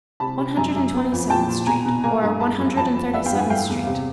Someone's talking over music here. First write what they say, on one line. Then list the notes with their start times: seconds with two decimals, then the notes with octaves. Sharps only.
One Hundred and Twenty-seventh Street--or One Hundred and Thirty-seventh Street....
0.20 C3 A5 B5
0.39 C3
0.56 F#2 G#5 A#5
0.75 F#2
0.94 B3
1.12 F2
1.30 A#2 G5 A5
1.49 A#2
1.66 B2 G#5 A#5
1.85 B2
2.04 A#3 G#5 A#5
2.22 G2
2.40 G#3 A5 B5
2.59 F#2
2.77 F2 A5 B5
2.96 F2
3.13 B3 E5 F#5
3.26 F5 G5
3.32 G2
3.38 F#5 G#5
3.50 A3 F5 G5
3.69 E2
3.87 C3